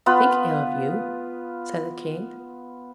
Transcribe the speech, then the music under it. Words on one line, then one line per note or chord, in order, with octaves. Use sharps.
"Think ill of you?" said the king.
B3 F4 B4